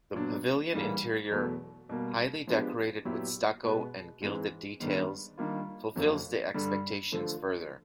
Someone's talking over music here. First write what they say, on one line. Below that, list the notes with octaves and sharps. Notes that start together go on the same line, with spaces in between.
The pavilion interior, highly decorated with stucco and gilded details, fulfils the expectations further.
A#2 F#3 B3 D4
G#2 E3 G3 A#3
E2 B2 F#3 A3
B2 G3 A#3
F3 G#3 B3 D4 G4
A#2 F#3 B3 E4 G4
B2 G#3 B3
G#2 E3 G#3 C4
G#2 D#3 G3 B3 D4
D#3 G3 A#3 D4 F4
F2 D3 F#3 A#3
G2 D3 G3
D3 F3 A3